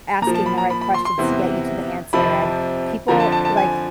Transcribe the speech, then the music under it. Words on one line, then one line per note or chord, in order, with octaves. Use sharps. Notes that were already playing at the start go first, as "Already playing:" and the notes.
asking the right questions to get you to the answer, and people, like
A#2 A#5
F3
A5
B5
A#5
B5
B5
C6
C6
E2 C3 E3
F2 C3 F3 B5
F2 D3 F3 A#5
A5
A5
A5
G#5